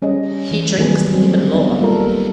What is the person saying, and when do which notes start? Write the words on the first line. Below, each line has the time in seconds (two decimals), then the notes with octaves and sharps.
He drinks even more.
0.02 G3 C#4 G#4 D#5
0.51 E3
0.78 D#3 F#3 G3 G#4 B4
1.13 F#3 G3 C4
1.53 B3 D4 D#4
1.80 G3 A#3 F4 A4 A#4